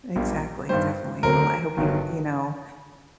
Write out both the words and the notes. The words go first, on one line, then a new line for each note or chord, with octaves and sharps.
Exactly, definitely. Well, I hope you you know,
A#1 A#2 G3 A#3
G2 D#3 G3 C5
D2 D3 F#3 C4 A#4
G1 G2 D#3 F#3